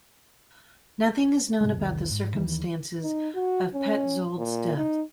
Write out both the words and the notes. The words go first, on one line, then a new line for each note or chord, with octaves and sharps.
Nothing is known about the circumstances of Petzold's death.
G#2 C3 G3 G#3
F1 C2 D#3
G#2
D#2 C3 D#3 E3
D#4
F#4
C#4
A#2
D#4